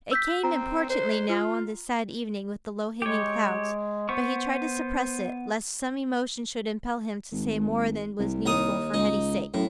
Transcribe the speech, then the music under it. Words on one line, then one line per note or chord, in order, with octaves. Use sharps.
It came importunately now, on this sad evening, with the low-hanging clouds, but he tried to suppress it, lest some emotion should impel him to say more than was needful for Hetty's sake.
E6 G6 B6
C4 A#5
C5
F4
G#3 G4 C#5
B3 C5 C#6
G#1
C2
D#2 A#5 D#6
C#2 D#4
F#2 A2